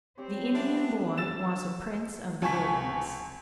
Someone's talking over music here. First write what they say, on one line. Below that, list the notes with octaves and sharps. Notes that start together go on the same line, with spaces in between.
The Indian boy was a prince of the wilderness.
G3 C4 G4 C#5
B3 C#4 D4 E4
E6 A6 E7
C#2 G#5 A5 C#6 B6